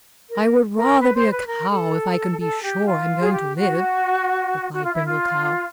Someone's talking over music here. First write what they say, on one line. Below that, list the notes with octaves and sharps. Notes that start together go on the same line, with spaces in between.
"I would rather be a cow if I can be sure I am going to live," replied Brindle Cow.
A#4
A#4
B4
C5
B4
A#4
A4
A4
G4
F4
G#4
G4
F#4
F#4
F4
E4
F4